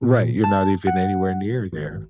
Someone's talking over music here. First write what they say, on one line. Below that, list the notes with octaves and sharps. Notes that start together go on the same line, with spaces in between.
Right. You're not even anywhere near there.
A#2
A5
F#5
G#1